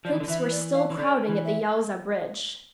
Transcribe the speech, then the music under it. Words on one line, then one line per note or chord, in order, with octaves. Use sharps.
Troops were still crowding at the Yauza bridge.
F3 D5
E3
D3
E3 E5
D5
F5
E3
D3 D5
E3
E5